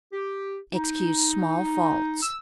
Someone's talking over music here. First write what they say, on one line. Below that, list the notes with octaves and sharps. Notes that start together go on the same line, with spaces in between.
Excuse small faults.
G4
D#4
E6